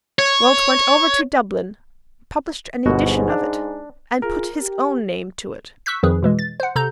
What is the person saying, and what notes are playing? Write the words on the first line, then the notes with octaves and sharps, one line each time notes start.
Rolt went over to Dublin, published an edition of it, and put his own name to it.
C#5
G1 G#2 B2 F#4
D4
F4 G#4 A#4
G4
C#6 E6 F#6 G6 B6
F2 D#3 F3 G#4 B4
B2 E3 G#3
A6
C5 F#5
C3 A4 A#5 G6